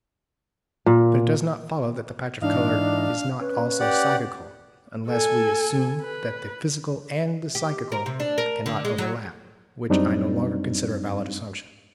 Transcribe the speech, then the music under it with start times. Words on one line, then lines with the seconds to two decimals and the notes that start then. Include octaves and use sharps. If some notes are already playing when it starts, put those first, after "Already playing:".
But it does not follow that the patch of colour is not also psychical, unless we assume that the physical and the psychical cannot overlap, which I no longer consider a valid assumption.
0.86 A#2
2.42 G#2 E3 D4 D#4 F5
3.40 C#4 B4
3.80 G4 D5 F#5
5.07 A4 G#5
6.02 B4
7.55 G4
7.92 A#4
8.06 C3
8.20 D4
8.38 A#4
8.66 D3
8.85 G#3
8.98 F#3
9.90 F#2 G3 C4 D4 D#4